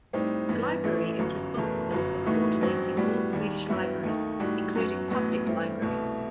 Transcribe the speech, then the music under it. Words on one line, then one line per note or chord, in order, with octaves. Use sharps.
The library is responsible for coordinating all Swedish libraries, including public libraries.
A2 G3 C4 D#4
G2 E3 B3
A1 A2 E3 A3
G1 F#2 F#3
F#1 E2 B2 A3
G1 F#2 F#3
A2 E3 A3 D#4 F#4
A1 G2 F#3 C4 F#4
A2 G3 B3 F#4
D#2 D#3 G3
G2 F#3 B3 E4
D#2 D#3 A3 D#4
A2 G3 D#4 F#4
F#2 F#3 B3 F#4
A1 A2 F#3 B3
G2 E3 A3 C4
C2 B2 A3 E4